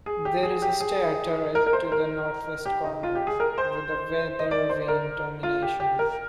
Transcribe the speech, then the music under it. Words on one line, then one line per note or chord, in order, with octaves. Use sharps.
There is a stair turret to the north-west corner, with a Weather vane termination.
G#4
G4
G#4
G4
G#4
A#4
A#4
C5
A#4
G4
D#4
F4
G4
G#4
A#4
C5
D#5
D5
C5
A#4
F4
G4
G4
A#4